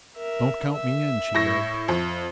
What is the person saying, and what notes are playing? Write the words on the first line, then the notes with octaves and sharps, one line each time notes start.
"Don't count me in!" she begged.
A#4 E5
E5
A2 A#6
F2